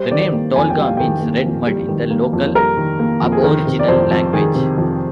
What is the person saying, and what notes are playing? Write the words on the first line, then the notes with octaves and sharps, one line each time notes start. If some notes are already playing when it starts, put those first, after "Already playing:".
The name Tolga means "red mud" in the local Aboriginal language.
Already playing: G3 C5
D#3 D5
A#3
F2 G#5
G5
G3 F5
D#3 G5
A#3
F2
G3
D#3
A#3
F2
G3 A#4
D#3
A#3
F2
G#4
D#3 A#4
C3
D5
F2 C5
F2
D#3 G#4
C3
F2